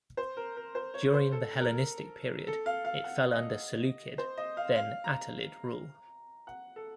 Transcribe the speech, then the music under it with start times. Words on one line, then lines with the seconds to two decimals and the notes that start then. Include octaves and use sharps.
During the Hellenistic period it fell under Seleucid, then Attalid rule.
0.17 C5
0.37 A#4
0.57 A#4
0.75 C5
0.94 C#5
1.14 C5
1.32 A4
1.61 A#4
2.47 A4
2.66 F5
2.85 F5
3.04 F#5
3.33 D#5
4.18 C5
4.37 D#5
4.57 F5
4.76 F5
5.04 A#5
6.47 F#5
6.76 A4